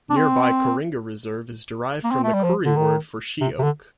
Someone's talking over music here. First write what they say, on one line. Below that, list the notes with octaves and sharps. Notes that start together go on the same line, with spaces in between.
Nearby Kooringa Reserve is derived from the Koori word for sheoak.
D4
C4
A#3
C4
A3
G3
F3
D3
D#3
C3
C3
D3